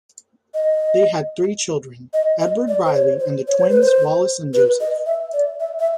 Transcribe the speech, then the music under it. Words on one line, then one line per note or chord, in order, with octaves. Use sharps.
They had three children: Edward Reilly and twins Wallace and Joseph.
D#5
D#5
D#5
D5
C5
C#5
C5
C#5
C5
B4
C5
B4
D#5
E5
D5
E5
E5